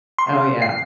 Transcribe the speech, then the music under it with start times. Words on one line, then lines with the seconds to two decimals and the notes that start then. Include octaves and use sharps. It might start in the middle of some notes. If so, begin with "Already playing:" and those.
Oh, yeah.
0.19 C6
0.62 C7